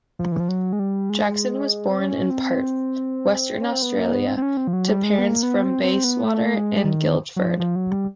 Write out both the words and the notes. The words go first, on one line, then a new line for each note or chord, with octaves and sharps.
Jackson was born in Perth, Western Australia, to parents from Bayswater and Guildford.
F3
E3
F3
F#3
G#3
G3
G#3
C4
C#4
C4
C#4
C4
B3
A#3
B3
C4
C4
C#4
C4
F3
F#3
G3
G#3
B3
A#3
B3
C4
C4
B3
A3
G#3
D#3
F#3
F3
F3
F#3
G3